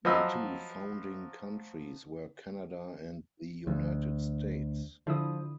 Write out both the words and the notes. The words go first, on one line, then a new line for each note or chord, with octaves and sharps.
The two founding countries were Canada and the United States.
F3 F#3 D#5 B5 E6
D2 F3
D3 F3 E4 D#6